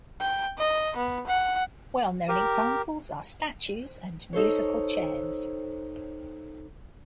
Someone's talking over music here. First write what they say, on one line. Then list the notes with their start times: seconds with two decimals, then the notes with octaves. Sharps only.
Well-known examples are statues and musical chairs.
0.21 G5
0.58 D#5
0.97 B3
1.27 F#5
2.29 G4 A#4
4.33 D#4 A4 C5 C#5